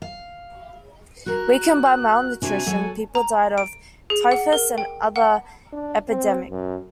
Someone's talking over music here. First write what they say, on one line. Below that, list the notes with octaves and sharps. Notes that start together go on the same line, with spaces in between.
Weakened by malnutrition, people died of typhus and other epidemics.
F5
F#4 A#4 F#6
C3 D4 F#4 G#5
F#3 A4 F#5
A#5
D7
G#4
F#5
A#4
G5
F#5
D4
C4
F#2